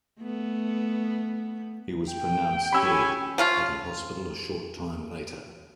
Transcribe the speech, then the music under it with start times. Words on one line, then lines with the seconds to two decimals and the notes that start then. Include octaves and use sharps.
He was pronounced dead at a hospital a short time later.
0.20 A3 B3
2.11 G5
2.73 C#4 G4 G#5 B5 E6
3.38 F3 C#4 F4